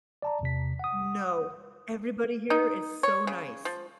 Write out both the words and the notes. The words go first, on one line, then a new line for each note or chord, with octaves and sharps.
No. Everybody here is so nice.
D5 A5 A#5
E2 C3 B6
F#5 D#6
D#4
C#5
C#3
F3